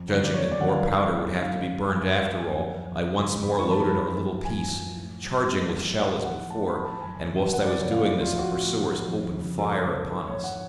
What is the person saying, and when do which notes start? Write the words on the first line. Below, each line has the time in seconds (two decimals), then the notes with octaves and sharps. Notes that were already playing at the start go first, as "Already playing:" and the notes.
Judging that more powder would have to be burned after all, I once more loaded our little piece, charging with shell as before; and whilst I was doing this our pursuers opened fire upon us.
Already playing: F2
0.08 D3 F#3
0.23 D5
0.34 F2 C#5
0.51 D5
0.60 D3 F#3 F#5
0.68 F5
0.86 G#2
1.11 F#3
1.37 G#2 F5
1.62 F#3
1.88 F#2 G#5
2.14 F3
2.39 F#2 G#5
2.65 F3
2.90 F2
3.17 C#3 F3
3.42 F2 B5
3.59 C#6
3.68 C#3 F3 A5
3.77 B5
3.94 F#2
4.19 F3
4.45 F#2 G#5
4.70 F3
4.96 A2
5.22 F#3
5.47 A2
5.73 F#3
5.99 A2 F#5
6.24 F3 F#5
6.50 A2 A5
6.67 B5
6.76 F3
6.85 A5
7.01 F#2 G#5
7.27 C#3 F3
7.53 F#2 F#5
7.66 D5
7.78 C#3 F3 C#5
7.91 F5
8.05 A2 D5
8.21 F4
8.30 F3
8.39 F#4
8.55 A2
8.81 F3
9.08 F2
9.33 C#3 F3
9.59 F2 A4
9.84 C#3 F3
10.10 G#2 B4
10.27 C#5
10.35 F3
10.44 F#5